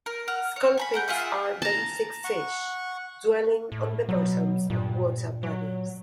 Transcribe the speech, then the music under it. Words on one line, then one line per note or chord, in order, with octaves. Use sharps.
Sculpins are benthic fish, dwelling on the bottoms of water bodies.
A#4
F#5 F6
C#5
G#5 A#5 B5
A#4 F#5 G6
F4 G#4 E5 F#5
A5 A#5
F#5 C#6
A2
B2 F#3
G2 A#2
F#3